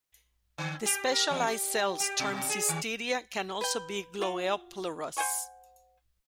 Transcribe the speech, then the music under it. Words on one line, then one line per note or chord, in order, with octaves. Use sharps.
The specialized cells termed cystidia can also be gloeoplerous.
D3
G4
A#4
E2
G4
G4
B2
G#4
D#3
B4 G5
F4 F#4 F5
C5 F#5 G#5 C#6